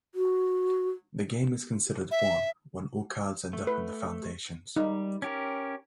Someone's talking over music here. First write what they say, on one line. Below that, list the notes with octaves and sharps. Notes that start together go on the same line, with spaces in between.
The game is considered won when all cards end up in the foundations.
F#4
E5
A3
B4
G3 D#4
C#4 G4 A#4